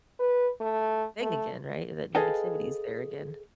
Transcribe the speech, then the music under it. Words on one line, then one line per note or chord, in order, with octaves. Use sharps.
thing again, right? That negativity is there again.
B4
A3
A3
G#4 A4 B4 D#5 F5 G5